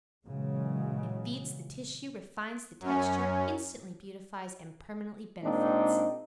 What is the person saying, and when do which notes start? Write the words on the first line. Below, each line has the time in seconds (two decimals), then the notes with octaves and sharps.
It FEEDS the tissue, REFINES the texture, INSTANTLY beautifies, and PERMANENTLY benefits.
0.24 A#2 C#3 E3 F#3 G#3
2.81 F#2 C#4
5.43 A#2 G#3 A#3 C4 D4 D#4